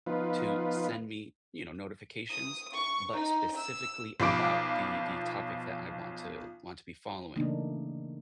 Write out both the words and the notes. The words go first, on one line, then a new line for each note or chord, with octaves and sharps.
to send me, you know, notifications, but specifically about the the topic that I want to want to be following,
F3 B3 D#4 F4 B4
D#6
C#6
D#4
E6
B1 F3 B5 D6 D7
C#3 E3 A3 A#3 D4 D#4